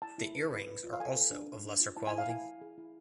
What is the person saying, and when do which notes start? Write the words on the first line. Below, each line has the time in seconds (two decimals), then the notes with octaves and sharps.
The earrings are also of lesser quality.
0.02 E4 A5
0.18 E4
0.35 B4
0.51 B4
0.67 B4
0.84 F4
0.93 F5
1.00 A4 G#5
1.16 A4
1.32 D4
1.48 D4
1.65 D4
1.80 F4
1.97 E4 A5
2.07 G#5
2.13 E4
2.18 F5
2.29 E4 G#5
2.46 E4
2.61 G#4
2.78 E4